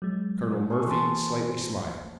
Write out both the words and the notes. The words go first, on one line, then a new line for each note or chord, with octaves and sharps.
Colonel Murphy slightly smiled.
F#3 G#3
G#4 A4 C#6
E3 A#3 C5 A5